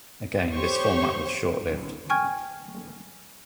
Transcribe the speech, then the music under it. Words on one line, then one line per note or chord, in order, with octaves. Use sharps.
Again, this format was short-lived.
G4 C5 C#5 C#6
G5 G#5 C#6 F6 G#6